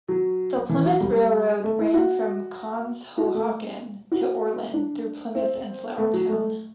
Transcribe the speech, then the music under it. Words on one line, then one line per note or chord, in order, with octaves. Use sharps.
The Plymouth Railroad ran from Conshohocken to Oreland through Plymouth and Flourtown.
F#3
E3
F#3
G3
A3
E4
F#4
F#4
A3
F#4
D4
C4
A3
F#3
A3